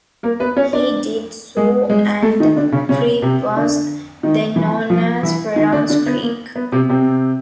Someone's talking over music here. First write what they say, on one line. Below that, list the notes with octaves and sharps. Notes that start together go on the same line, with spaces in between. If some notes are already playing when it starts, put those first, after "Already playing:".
He did so and the creek was then known as Ferron's Creek.
A#3 A#4
B3 B4
C#4 C#5
D4 D5
G#3 G#4
G#3 G#4
A3 A4
D#3 D#4
D3 D4
C#3 C#4
C#3 C#4
C3 C4
D3 D4
D#3 D#4
E3 E4
F3 F4
E3 E4
D#3 D#4
D3 D4
D3 D4
B3
A#3
B3
C3 C4
C3 C4